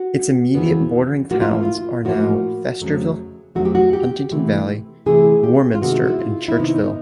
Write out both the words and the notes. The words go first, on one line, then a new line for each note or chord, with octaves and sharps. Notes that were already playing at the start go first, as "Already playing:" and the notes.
Its immediate bordering towns are now Feasterville, Huntingdon Valley, Warminster, and Churchville.
Already playing: F#4
F2 C#3 E3 G#3 B3
A2 F3 A#3 F#4
F4
E4
F4
A2 F3 A#3 F#4
F2 C#3 F#3 A3
F2 C#3 F#3 A3 F#4
G4
F#4
G4
C3 E3 A3
C3 E3 A3 G#4
G4
F4
C3 D#3 G#3 B3 F#4
E4
F4
E4
C3 D#3 G#3 B3 D#4
D#4